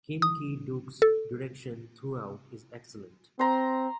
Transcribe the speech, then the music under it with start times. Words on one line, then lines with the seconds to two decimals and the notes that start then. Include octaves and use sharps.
Kim Ki-duk's direction throughout is excellent.
0.22 D#6
1.02 A4
3.39 C4 A#5 C6